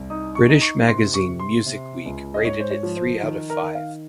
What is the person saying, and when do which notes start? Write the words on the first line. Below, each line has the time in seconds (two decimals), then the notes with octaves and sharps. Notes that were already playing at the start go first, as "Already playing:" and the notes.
British magazine "Music Week" rated it three out of five.
Already playing: C2
0.10 D#4 D#6
0.35 C#6
0.49 D#4
0.61 C#6
0.88 C3 C6
1.14 C#6
1.28 C3
1.39 C6
1.66 C3
2.06 C#2
2.34 D#5
2.44 G#2 C#5
2.60 C5
2.71 C#5
2.83 F3
2.97 C5
3.22 D#3
3.50 A#4
3.62 D#3
3.75 F5